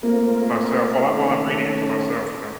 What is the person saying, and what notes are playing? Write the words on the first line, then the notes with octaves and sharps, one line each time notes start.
myself while I while I'm reading it to myself, you know?
A3 A#3 C4 F4 A#4
D#3 A3 C#4 A4